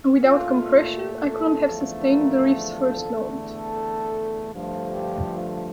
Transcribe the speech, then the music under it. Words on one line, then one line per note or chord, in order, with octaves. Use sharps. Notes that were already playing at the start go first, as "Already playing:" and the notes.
Without compression, I couldn't have sustained the riff's first note.
A#2 A3 F4
A4
E2 D3 F3 A3
A#4
A4
E2 D3 A3
A4
G2 D3 F3 A3
G4